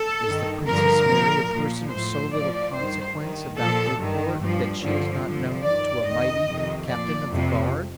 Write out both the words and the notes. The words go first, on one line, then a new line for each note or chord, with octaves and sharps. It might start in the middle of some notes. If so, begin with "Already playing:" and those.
"Is the Princess Mary a person of so little consequence about the court that she is not known to a mighty captain of the guard?"
Already playing: A4
G2 D#3
G2 D3 F3 A#4
A#2 F3
A#2 F3
A2 F3 C5
A2 F3 D5
G2 D#3 C5
G2 D#3
A#2 F3 A4
G2 D#3
G2 F3
G2 D3 F3
G2 D3 F3
G2 D#3 D5
F2 D#3 D#5
F2 C3 D#3
A#2 F3 D5
F2 C3 F3